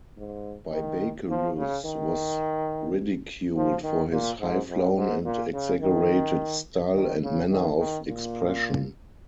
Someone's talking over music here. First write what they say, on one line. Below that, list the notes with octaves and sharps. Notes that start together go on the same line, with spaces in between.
Bibaculus was ridiculed for his high-flown and exaggerated style and manner of expression.
G#2
D#3
F3
C#3
D#3
F3
D#3
A#2
G#2
F2
G#2
A#2
C#3
D#3
D#3
C#3
D#3
D#3
A#2